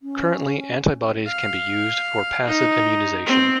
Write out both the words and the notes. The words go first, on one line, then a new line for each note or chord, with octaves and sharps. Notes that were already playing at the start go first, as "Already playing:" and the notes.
Currently, antibodies can be used for passive immunization.
C#4
F5
D#4
C4